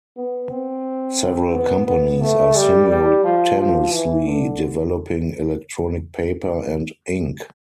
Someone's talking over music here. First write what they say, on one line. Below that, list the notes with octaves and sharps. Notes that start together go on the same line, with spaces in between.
Several companies are simultaneously developing electronic paper and ink.
B3
C4
B3
B3
A3
G3
G3
F3
F3
E3
D3